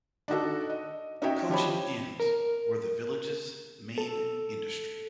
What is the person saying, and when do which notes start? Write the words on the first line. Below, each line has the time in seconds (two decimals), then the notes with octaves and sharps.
Coaching inns were the village's main industry.
0.28 D4 D#4 F#4 A4
0.70 D#5
1.22 C#4 D#4 F#4 C#5 E5 G5
1.49 F3 G4 C#5 B5
2.20 A#4
3.98 A4